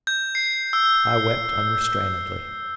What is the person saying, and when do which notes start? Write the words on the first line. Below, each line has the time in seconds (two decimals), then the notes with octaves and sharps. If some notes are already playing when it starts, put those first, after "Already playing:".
I wept unrestrainedly.
0.07 G6
0.35 C7
0.73 E6